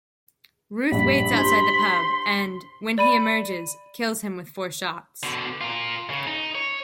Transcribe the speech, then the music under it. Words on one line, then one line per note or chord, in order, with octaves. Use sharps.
Ruth waits outside the pub and, when he emerges, kills him with four shots.
A#1 G2 B5
D4 G4 C5 C6
D5 B5 D#7
B2 D3
F4 A#4
C#3
D#4
C#5